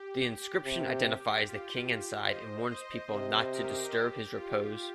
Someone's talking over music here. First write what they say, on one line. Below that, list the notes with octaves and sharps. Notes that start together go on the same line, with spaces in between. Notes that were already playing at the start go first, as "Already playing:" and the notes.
The inscription identifies the king inside and warns people not to disturb his repose.
Already playing: G4
C3
F4
G4
C5 D#5
C5 D#5
C3 C5 D#5
G4 A#4
G4
F4